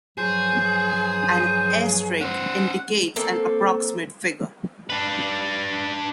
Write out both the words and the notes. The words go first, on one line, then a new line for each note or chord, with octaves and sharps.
An asterisk indicates an approximate figure.
G2 F3 F#3 G#4 C5
C#4 C5 F#5
A#3 C4 A4
D4 B4